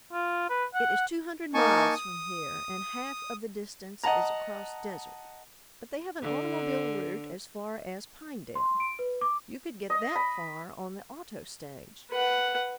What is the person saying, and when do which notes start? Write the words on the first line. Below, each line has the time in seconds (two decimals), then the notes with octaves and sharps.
It is two hundred miles from here and half of the distance is across desert, but they have an automobile route as far as Pinedale; you could get that far on the auto stage.
0.13 F4
0.49 B4
0.74 F#5
1.54 A#3 D#4 G#5 A5 C#6
1.94 D#6
4.04 D#5 F#5 A5 A#5
6.21 D3
8.55 C6
8.80 D7
8.99 B4
9.21 D6
9.90 D#5
10.15 B5
12.11 B4 F#5